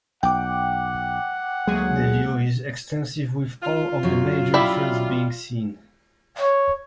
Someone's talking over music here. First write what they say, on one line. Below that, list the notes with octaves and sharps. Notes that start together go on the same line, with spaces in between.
The view is extensive with all of the major fells being seen.
B1 F#5 G5 D6
D2 F#3 G#3 A#3 G#4
F4
F#2 F#3
G3 E4 E5
C#5